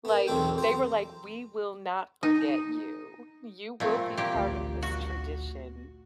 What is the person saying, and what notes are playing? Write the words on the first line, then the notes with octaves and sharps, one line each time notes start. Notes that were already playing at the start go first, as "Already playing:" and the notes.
Like, they were like, "We will not forget you. You will be part of this tradition."
B3 A#4
B1 E2 F#3 C4 A4 G5
C5 A#5
D#4
A#2 A3 C4
A#2 G4
A1 D2
F#4